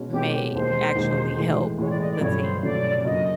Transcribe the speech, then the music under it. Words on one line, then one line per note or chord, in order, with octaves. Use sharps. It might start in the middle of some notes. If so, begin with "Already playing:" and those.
may actually help the team, you know?
Already playing: B2 G#3 C#4 F#4
B2 G#3 C#4 F#4 G4
E1 D#2 D#3 G#3 C5
E1 D#2 D#3 G#3
A2 E3 G#3
A2 E3 G#3 C#5
D5
D#5
D5
G2 D3 F#3 A3 C#4 C#5
C5
G2 D3 F#3 A3 C#4 D5
F#2 C#3 F#3 A#3 D#5